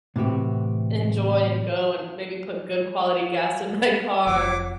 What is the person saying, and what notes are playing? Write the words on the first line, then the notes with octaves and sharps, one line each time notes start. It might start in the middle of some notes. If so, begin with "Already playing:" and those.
enjoy and go and maybe put good quality gas in my car.
A2 C3 E3 F#4 G4
F1 F3 D6